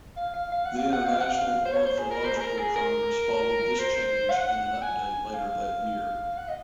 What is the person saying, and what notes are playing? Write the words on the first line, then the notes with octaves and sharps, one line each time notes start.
The International Ornithological Congress followed this change in an update later that year.
F5
F5
F5
F#5
F5
F#5
F5
F#5
F5
C5
C#5
C5
G#4
A#4
C5
G#4
A#4
G#4
A#4
C5
F#5
G#5
F5
F#5
D#5